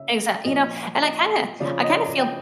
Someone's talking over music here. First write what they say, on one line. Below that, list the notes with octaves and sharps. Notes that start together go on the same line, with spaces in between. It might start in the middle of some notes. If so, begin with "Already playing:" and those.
Exact you know, and I kinda I kinda feel,
Already playing: C#3 E5
A#2 F3 D#5
D#5
C#3 F3 D5
D#5
D5
G5